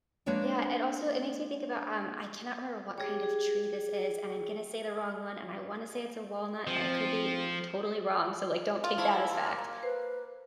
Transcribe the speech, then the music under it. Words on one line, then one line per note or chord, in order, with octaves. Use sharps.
Yeah. And also, it makes me think about, um- I cannot remember what kind of tree this is, and I'm gonna say the wrong one, and I wanna say it's a walnut, but I could be totally wrong, so, like, don't take that as fact-
G#3 A#3 D4 B4 C#5 D5
G4 G#4 C#5
G#4
F3 C4
F4
E4 C5 A5 C#6
A#3
B4 C5